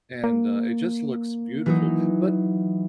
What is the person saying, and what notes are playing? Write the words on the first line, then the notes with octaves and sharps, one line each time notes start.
and, uh, it just looks beautiful, but
A#3
E3 F#3 D#4